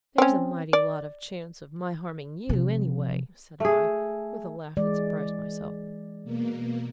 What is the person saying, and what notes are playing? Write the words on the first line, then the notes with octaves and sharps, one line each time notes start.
"There's a mighty lot of chance of my harming you, anyway!" said I, with a laugh that surprised myself.
C4 C#4
D5
C3 F3
A3 G#4
E3 G#3 D5
B2 A#3